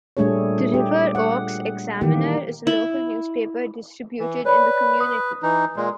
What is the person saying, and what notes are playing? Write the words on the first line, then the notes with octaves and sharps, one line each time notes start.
The "River Oaks Examiner" is a local newspaper distributed in the community.
A#2 G3 A3 D4 G#4 C#5
G4
F#5
D#3 E3 A#3 G4
E4
E3
B4 C#5 D5 B5
D#6
E3 D#4
A#2 G#3